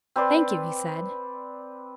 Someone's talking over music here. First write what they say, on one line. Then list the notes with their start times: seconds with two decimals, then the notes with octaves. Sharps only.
"Thank you," he said.
0.16 C4 B4 D5 C6